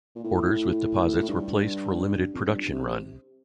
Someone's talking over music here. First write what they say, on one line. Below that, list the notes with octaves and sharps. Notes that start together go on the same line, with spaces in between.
Orders with deposits were placed for a limited production run.
A#2
A2
A2
G2
F2
G2
C3